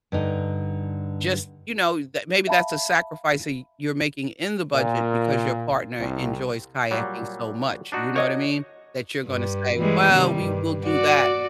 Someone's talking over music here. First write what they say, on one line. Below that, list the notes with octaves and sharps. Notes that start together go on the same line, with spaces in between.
just, you know, tha maybe that's a sacrifice that you you're making in the budget because your partner enjoys kayaking so much, you know what I mean? That you're gonna say, "Well, we will do that
G2 D3 D#4
E5 F5 A5 B5
A#2
C2
A#2 F#3 G3
D4 D#4 F#4
C#5 D#5
G2
E3 G3 G#3
C3 D#3 G3
G2
F#4 D5